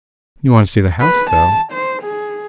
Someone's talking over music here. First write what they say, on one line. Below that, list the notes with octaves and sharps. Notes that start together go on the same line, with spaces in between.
"You want to see the house, though?"
B4
A5
C5
G#4